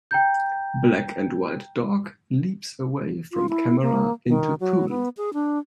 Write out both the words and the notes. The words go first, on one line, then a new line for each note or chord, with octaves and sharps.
Black and white dog leaps away from camera into pool.
G5 A#5 G6
F4
E4
A#3
D#3
F#3
B3
G#4
D4